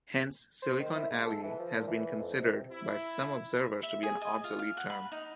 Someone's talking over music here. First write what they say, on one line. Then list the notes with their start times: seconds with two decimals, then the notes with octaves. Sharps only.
Hence 'Silicon Alley' has been considered by some observers to be an obsolete term.
0.62 C5
0.80 D#3
0.95 E4
1.10 G#2
1.26 A4
1.43 E3
1.59 F3
1.74 A#2
1.87 E3
2.19 F2
2.41 C3
2.72 E4
3.83 E5
4.03 G#4
4.21 D#5
4.44 F4
4.59 F5
4.77 F#5
4.90 B5
5.12 D#4